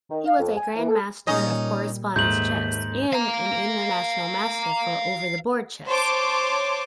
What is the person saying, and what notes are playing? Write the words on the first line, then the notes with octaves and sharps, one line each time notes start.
He was a Grandmaster of Correspondence Chess and an International Master for over-the-board chess.
D#3
F5
F2
G#5
E3
A4
A#2 G3 C#4 D#4 D#5
D#2 G#2 A3 G6 F#7
F5 A#5
C5 C#5 A5 C6 D6